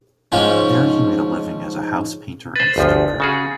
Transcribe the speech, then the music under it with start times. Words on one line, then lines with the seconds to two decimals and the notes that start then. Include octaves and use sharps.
There he made a living as a house painter and stoker.
0.32 G#2 F3 C#4
2.56 B4 C5 A6
2.76 G1 D2 F3
3.20 C#3 F#4 G#4